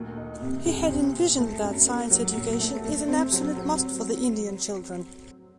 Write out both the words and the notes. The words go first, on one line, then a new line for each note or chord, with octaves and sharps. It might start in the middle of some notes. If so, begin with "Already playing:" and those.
He had envisioned that science education is an absolute must for the Indian children.
Already playing: D2 A#2 D#3
D#4
C3
C2
C4
A#2
A3
F#2
A#3
F#3
A#2
A3
A3
C4
F#3
F#3